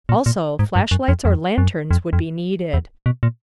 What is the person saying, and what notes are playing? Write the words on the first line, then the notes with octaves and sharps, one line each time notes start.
Also, flashlights or lanterns would be needed.
A#2
A#2
G#2
G2
F#2
F2
F2
F#2
F2
F2
E2
B2
A#2